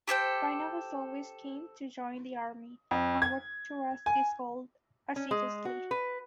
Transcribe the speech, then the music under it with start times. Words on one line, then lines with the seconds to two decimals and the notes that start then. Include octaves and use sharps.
Raina was always keen to join the Army and worked towards this goal assiduously.
0.08 G4 A4 C5 G5
2.91 F2
3.22 G#6
4.06 G#5
5.16 C#4
5.31 G#3
5.65 F#4
5.91 B4